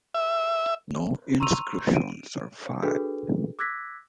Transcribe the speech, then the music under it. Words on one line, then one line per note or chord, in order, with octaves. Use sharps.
No inscription survives.
E5
A#5 C6 C#6 E6 D#7 F7
D7 D#7
D4 F#4 G#4 A4 B4
D6 E6 F#6 G#6 A#6 B6